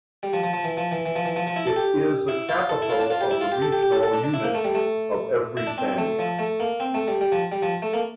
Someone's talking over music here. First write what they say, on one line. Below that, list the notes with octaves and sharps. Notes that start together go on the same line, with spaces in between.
It is the capital of the regional unit of Evrytania.
G3
F3
F3
F3
E3
F3
E3
E3
F3
E3
F3
F3
E4
A4
G4
E4
F4
A4
E4
F4
D4
F4
G4
E4
F4
G4
A4
G4
G4
A4
A4
D4
D4
E4
A#3
A3
G3
A3
E4
D4
C4
C4
A3
F3
A3
A#3
C4
A3
G3
G3
F3
G3
F3
A3
A#3